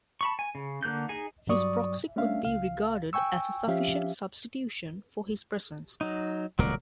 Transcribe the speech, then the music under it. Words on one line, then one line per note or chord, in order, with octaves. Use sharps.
His proxy could be regarded as a sufficient substitution for his presence.
A5 B5 C#6
G#5
C#3
D3 A#3 F#6 G6
D#4 G#4 G#5
G2 F#3 D5 C#6 D#6
A3 C#4 D4 E5 F5
C#2 F5
G5 G#5 C#6 E6
F3 C#4 G4 E5 F5
F#3 D#4
D#1 C#2 B2 F#3 A#4 D5